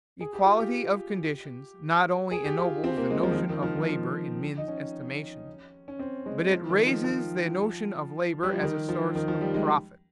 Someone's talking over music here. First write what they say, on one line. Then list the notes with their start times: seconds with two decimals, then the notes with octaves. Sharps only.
Equality of conditions not only ennobles the notion of labor in men's estimation, but it raises the notion of labor as a source of profit.
0.21 G#4
0.33 G4
0.46 F4
0.59 G4
2.31 G#4
2.45 G4
2.58 F4
2.84 C4
2.97 A#3
3.10 G#3
3.23 F3
3.32 D#3
3.36 F3
3.49 D#3
3.63 F3
3.76 D#3
3.89 F3
4.58 D#4
4.68 C#4
5.88 C#4
5.99 C4
6.26 G#3
6.52 F3
6.70 D#3
6.87 F3
7.04 F3
8.43 G3
8.53 F3
8.62 D#3
8.89 F3
9.15 D#3
9.28 F3
9.41 G3
9.54 G#3